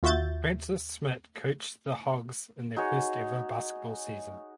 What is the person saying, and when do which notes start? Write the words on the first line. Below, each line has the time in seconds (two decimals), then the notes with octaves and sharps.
Francis Schmidt coached the Hogs in their first ever basketball season.
0.03 D#2 F4 F#4 E5 G6 A6
2.76 D#4 F#4 G#4 C#5